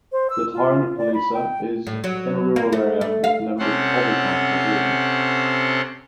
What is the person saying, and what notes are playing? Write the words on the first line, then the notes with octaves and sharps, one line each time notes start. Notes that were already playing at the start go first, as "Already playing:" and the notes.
The town of Pallisa is in a rural area with limited public transportation.
C5
E6
F4
D5
B5
G5
A2
F#3
A#3
A3
A3
F5
C3 C4 C#4 A4 F#5 C6